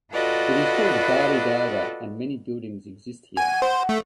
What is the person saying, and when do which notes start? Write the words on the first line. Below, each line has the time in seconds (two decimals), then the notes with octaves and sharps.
It is called Bari Dargah and many buildings exist here.
0.13 F4 F#4 A4 B4 D5 D#5
3.37 F#5 G#5
3.62 C5
3.89 A3